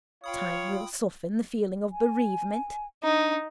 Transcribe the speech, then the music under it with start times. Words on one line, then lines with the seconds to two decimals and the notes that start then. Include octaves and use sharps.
Time will soften the feeling of bereavement.
0.24 F4 C#5 F5 G5 B5 D#6
1.92 G#5
3.04 D4 D#4